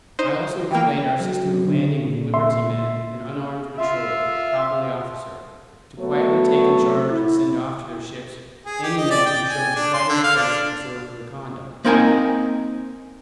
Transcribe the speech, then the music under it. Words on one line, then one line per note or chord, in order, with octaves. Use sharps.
I also explained our system of landing with liberty men an unarmed patrol, properly officered, to quietly take in charge and send off to their ships any men who showed the slightest trace of disorderly conduct.
D#4 C5
E3 A#3 G5
F#3
D3
A#2
E5 C6
F4 E5
F#3 A3 B3 C#5
E4
G#4
G4
D#5
D5
G5
G#5
D4
C6
D3
F5
D4
A#3 C4 D#4 A#4 G5 G#5